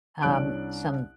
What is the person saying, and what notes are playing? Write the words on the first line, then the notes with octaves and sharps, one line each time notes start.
um, some
C2 C#4 D4 F#6 D7